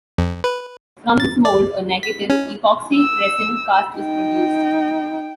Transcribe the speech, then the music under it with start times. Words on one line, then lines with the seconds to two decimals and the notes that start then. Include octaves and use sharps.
From this mould a negative epoxy resin cast was produced.
0.18 F2
0.44 B4
1.20 A6
1.45 D5
2.03 B6
2.30 C#4
2.95 E6
3.97 D#4 G5